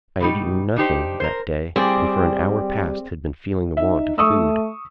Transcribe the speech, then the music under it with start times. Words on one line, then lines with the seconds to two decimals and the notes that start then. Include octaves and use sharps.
I had eaten nothing that day, and for an hour past had been feeling the want of food.
0.20 B2 G3 D#4
0.76 D4 D#4 G4 C5
1.20 A#4 C5
1.76 G3 C4 G#4 D5
3.77 D#4 E5
4.18 A3 C#6 D#6 E6